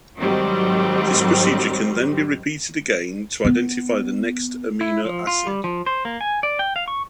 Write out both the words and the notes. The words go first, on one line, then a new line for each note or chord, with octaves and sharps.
This procedure can then be repeated again to identify the next amino acid.
G#2 D#3 F#3 G3 C4
B3
E4
F3
F4
G3
F3
C5
A#3
G#5
D5
G5
F5
C#6